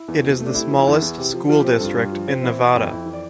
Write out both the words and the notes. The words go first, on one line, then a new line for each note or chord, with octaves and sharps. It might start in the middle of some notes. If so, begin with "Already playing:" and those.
It is the smallest school district in Nevada.
Already playing: E4
E2
B2
A3
D4
C3 E4
F3
E4
E2
E2
C3
F3
F3 F4
G4
C4
A4
G2 F4
G2 F4
F3
C4
E3 E4
B3
F2
F2 E4
E3
D5